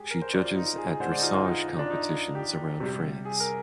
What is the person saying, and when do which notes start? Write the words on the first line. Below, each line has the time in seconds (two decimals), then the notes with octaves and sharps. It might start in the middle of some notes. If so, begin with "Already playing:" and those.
She judges at dressage competitions around France.
Already playing: G#3 G4 G#4
0.11 A#4
0.22 C5
0.33 D5
0.45 F4
0.56 D#4
0.66 F4
0.78 G#4
0.89 G#4
1.00 D3 G#3 C5
1.11 D5
1.18 D#4
1.23 F4
1.34 F4
1.46 D#4
1.68 D#4
1.79 D4
1.90 D#4
2.35 G4
2.80 C3 G3
3.25 G#4
3.40 A#4